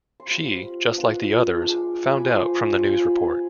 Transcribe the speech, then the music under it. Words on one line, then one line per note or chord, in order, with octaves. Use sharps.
She, just like the others, found out from the news report.
C6
G3 C4 F4 B5
B3 D4 F4
G#3 D4 F4
G#5
B5
F3 C4 F4 C6
G#5
G3 C4 F4 B5
G#5